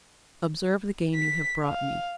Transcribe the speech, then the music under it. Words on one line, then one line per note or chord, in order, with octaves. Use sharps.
Observe the game you have brought me!
B6
F5